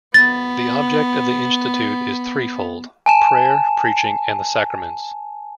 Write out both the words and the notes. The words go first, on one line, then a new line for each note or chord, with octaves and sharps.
The object of the institute is threefold: prayer, preaching, and the sacraments.
B3 A6
G#5 A5 E7